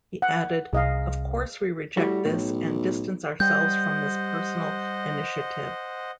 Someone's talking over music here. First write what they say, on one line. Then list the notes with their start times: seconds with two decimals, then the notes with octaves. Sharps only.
He added, Of course we reject this and distance ourselves from this personal initiative.
0.22 F#5
0.73 C2 G#4 D#5 F5
1.97 A2 G3 F#4
2.25 B1 A2
3.40 G3 C5 D#5 F#5 G6